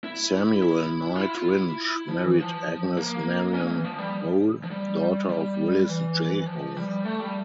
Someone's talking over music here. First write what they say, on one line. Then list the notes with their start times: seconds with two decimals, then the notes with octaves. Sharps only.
Samuel Knight Rindge married Agnes Marion Hole, daughter of Willits J. Hole.
0.04 E4
0.63 E4
1.15 F4
1.21 E4
1.35 F4
1.50 E4
2.08 F3
2.23 E3
2.38 F3
2.97 A#3
3.54 C#4
3.64 A#3
3.75 E3
3.85 F3
3.98 G3
4.64 F3
4.71 G3
5.29 G3
5.89 E3
6.46 F3
6.77 G3
7.05 A3
7.20 G3